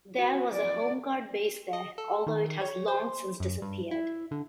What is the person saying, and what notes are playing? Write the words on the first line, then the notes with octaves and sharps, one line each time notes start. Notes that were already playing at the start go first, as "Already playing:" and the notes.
There was a Home Guard base there, although it has long since disappeared.
F#4
D5
D#5
A4
D#3
C#5
C5
F#2
G2
E4
D3